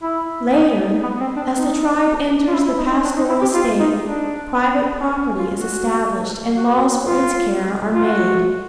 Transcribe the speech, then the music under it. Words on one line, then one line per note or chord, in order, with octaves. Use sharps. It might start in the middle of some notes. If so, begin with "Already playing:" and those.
Later, as the tribe enters the pastoral state, private property is established and laws for its care are made.
E4
D#4
B3
C4
D4
D#4
F4
E4
E4
D#4
D#4
D4
D#4
E4
G4
F4
D#4
D4
C#4
F4
F#4
F#4
F4
F4
F#4